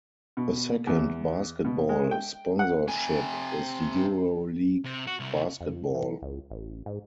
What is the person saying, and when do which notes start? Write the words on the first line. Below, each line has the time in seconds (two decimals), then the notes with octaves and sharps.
A second basketball sponsorship is Euroleague Basketball.
0.37 B2
0.87 E2
1.65 B2
1.89 G#3
2.11 G5
2.59 F#5
2.88 C3 G#5
4.85 C3
5.07 F#4
5.20 C2 C3
5.61 F2
5.95 E3
6.22 C#2
6.50 A1
6.86 G#2